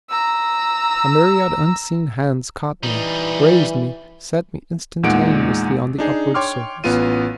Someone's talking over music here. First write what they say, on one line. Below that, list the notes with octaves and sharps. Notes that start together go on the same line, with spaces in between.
A myriad unseen hands caught me, raised me, set me instantaneously on the upward surface.
A#5 E6
E3 G3 D#4
E2 A#2 G#3 D#4 F#5 D7
D4 D#4 G#4
C#5 G5 C6 D6 F6
A1 B3 C#4 F4 D#7